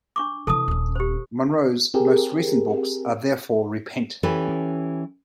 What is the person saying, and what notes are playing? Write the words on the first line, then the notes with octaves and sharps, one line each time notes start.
Munroe's most recent books are Therefore Repent!
D4 C#6 D6
C3 E3 A4 A5 D#6
D#1 C#4
G4 C5
C4 G4 G#4 A#4
E3 C#4 G4 A4 B4